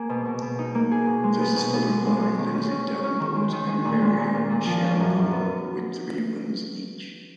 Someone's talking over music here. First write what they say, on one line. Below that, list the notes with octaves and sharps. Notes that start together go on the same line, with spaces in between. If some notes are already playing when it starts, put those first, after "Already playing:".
This is followed by Lindsay Davenport and Maria Sharapova with three wins each.
Already playing: A#3 G#4
B2
B2
B2
D#4
A#3
G#4
B2
G#3
B3
B2
B3
G#3
G#3
G#3
D#3
C#4
C#4
C#4
C#4
D#3
G#3
D#3
G#3
A#2
G#3
A#2
A#2
A#2
F3
C#4
F#2
F#2
B3